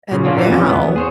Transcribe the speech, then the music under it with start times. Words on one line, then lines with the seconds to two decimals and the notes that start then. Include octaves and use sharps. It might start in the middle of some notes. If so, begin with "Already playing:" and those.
and now
0.12 A#2 C#3
0.24 A#3 C#4 D4 F4 F#4
0.37 A#2 E3 A5 A#5
0.51 F2 A#2 C#4
0.69 E2 B3
0.96 G#4 C5 C#5